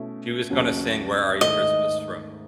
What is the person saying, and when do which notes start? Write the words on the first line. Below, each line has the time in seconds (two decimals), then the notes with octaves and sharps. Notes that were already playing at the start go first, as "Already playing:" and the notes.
She was gonna sing Where Are You Christmas from
Already playing: B2 A3 C#4 E4
0.50 D#2 C#3 F#3 C#4 F#4
1.41 G#2 D#3 A3 E4 D#5